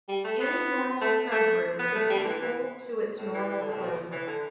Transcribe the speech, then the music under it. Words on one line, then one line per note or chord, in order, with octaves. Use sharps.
Any normal subgroup is equal to its normal closure.
G3
A3
B3
A3
A3
B3
A3
G3
D3
E3
E3
A2
E3
E3
D3
A2
B2
E3
D3